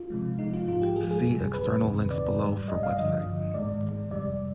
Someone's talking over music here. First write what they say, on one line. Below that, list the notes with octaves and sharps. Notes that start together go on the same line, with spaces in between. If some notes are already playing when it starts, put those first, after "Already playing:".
See external links below for website.
Already playing: F4
C3 F3 G#3
C3 F3 G#3 D#4
F4
G#2 F3 G#3 F4
G4
G#2 F3 G#3 G#4
G#4
F2 C3 G3
F2 C3 G3 B4
F2 C3 D#3
F2 C3 D#3 D5
G#2 G3
G#2 G3 D#5
F5
G2 D3 F3 D#5
G2 D3 F3
G#2 D#3 G#3 D5
G#2 D#3 G#3
F2 C3 G3 D5